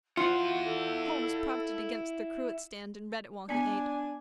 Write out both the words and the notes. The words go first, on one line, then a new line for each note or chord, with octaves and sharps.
Holmes propped it against the cruet-stand and read it while he ate.
E4 F4 C5 F#5
F#4
A4
B3 D4 D5 G#5